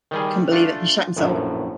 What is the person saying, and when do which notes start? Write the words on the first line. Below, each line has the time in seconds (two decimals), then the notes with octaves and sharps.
I couldn't believe it, he shat himself!
0.11 D#3 G3 G#4
0.51 A3 D4 F4
1.16 A#1 F#2 A2